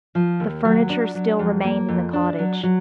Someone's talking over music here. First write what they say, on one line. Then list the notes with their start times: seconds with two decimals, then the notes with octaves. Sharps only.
The furniture still remained in the cottage.
0.15 F3
0.40 D#2
0.65 F#3
0.89 D4
1.15 F#3
1.39 F2
1.64 A#3
1.88 F2
2.13 D4
2.39 F#3
2.63 F#3